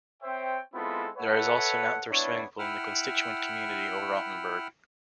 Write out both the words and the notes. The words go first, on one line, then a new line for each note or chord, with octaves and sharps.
There is also an outdoor swimming pool in the constituent community of Rottenberg.
C4 C5 C#5 E5 G5
G#3 B3 C4 E4 F4 A4
A4 B4 C#5 E5 F#5
B3 D4 E4 C#5
E4 F#5 G5 B5 E6 F6